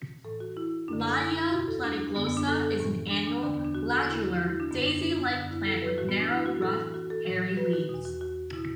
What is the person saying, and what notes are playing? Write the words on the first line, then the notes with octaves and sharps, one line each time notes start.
"Layia platyglossa" is an annual, glandular, daisy like plant with narrow, rough hairy leaves.
A2 E3 A4
F#4
E4
F#2 D3 D4
A4
E4
E4
E2 B2 F#4
A4
D4
F#2 D3 B3
B3
D4
A4
A4
A2 E3
D4
D4
E2 D3 D4
B3
D4
F#4
A4
E2 D3 E4
F#4
E4
D4
F#2 D3 B3
D4
D4
B3
F#2 D3
E4
A4
B4
A2 E3 F#4
B3
D4
E4
F#4
A2 E3 A4
F#4
A4
A2 E3
B4
F#4
E2 B2
F#4
F#4
B2 E4